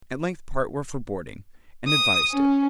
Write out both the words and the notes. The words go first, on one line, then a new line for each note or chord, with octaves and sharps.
At length part were for boarding, and advised it.
D#6
C#4